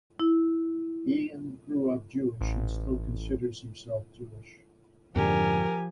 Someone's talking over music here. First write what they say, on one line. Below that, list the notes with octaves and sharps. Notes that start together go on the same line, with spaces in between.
Ian grew up Jewish and still considers himself Jewish.
E4
A1
F2 G#2 D3 F3 G4 A#4 G#5